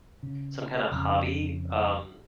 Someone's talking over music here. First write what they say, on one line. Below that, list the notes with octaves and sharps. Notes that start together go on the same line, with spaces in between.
some kind of hobby, um,
C#3
F2 C#3